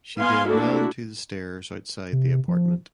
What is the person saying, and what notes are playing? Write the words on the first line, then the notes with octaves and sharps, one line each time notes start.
She then ran to the stairs outside the apartment.
B3 F5 G#5 C6
A3 A#3 D4 E4 F#4 A4
C3
F3